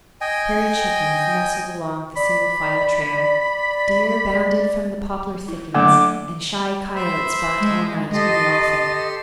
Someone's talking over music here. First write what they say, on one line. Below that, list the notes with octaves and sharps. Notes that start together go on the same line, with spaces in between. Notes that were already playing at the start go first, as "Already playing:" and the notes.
Prairie chickens nestled along the single-file trail. Deer bounded from the poplar thickets and shy coyotes barked all night in the offing.
D#5 G5 G#5
D5 B5
E4
D3 F#3 A3 A#3 D6
C5 E5 B5
G#3
G4 A4 D#5 C6